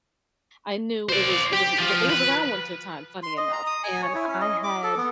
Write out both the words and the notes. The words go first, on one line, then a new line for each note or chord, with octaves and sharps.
I knew it was it was th it was around wintertime, funny enough, and I had
C5 D5
G4
F3 F4
B4
C6
D#5
A#5
D#6
G#5
C#5
E4
C#4
D#5
D6
A4
B3